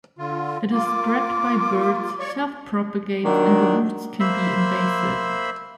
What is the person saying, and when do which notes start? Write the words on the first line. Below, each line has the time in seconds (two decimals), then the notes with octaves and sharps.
It is spread by birds, self-propagates and the roots can be invasive.
0.19 D3 F4
0.73 A#3 F4 D6
2.20 C#5 D5 C#6
3.25 D#3 F#3 A#3 D4 D#4 F4
4.20 A#3 C5 E5 B5 C6 E6